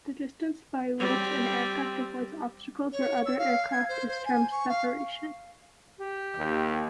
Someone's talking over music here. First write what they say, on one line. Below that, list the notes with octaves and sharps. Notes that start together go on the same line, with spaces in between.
The distance by which an aircraft avoids obstacles or other aircraft is termed "separation".
G3 C4
C#5
E6
F5
G#6
C5
C5
G#5
C#6
F5
G4
D#2